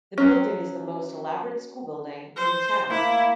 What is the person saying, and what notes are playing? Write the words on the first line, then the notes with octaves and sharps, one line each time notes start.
The building is the most elaborate school building in the town.
F#3 C#4
C5
A#3 E4